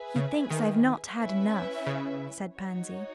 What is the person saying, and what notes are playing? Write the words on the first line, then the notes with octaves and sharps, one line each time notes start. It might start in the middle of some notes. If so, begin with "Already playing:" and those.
"He thinks I've not had enough," said Pansy.
Already playing: G#4 B4 E5 G#5
C#3
D#3
C#4 E4 B4 E5
C#3
D#4 F#4 C#5